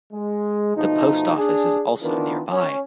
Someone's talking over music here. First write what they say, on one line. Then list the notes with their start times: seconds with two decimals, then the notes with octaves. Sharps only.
The post office is also nearby.
0.13 G#3
0.76 B2 F3 A3 D#4
1.37 D4 G#4
2.01 D#3 E3 B3 D4 F4 A#4
2.50 C#4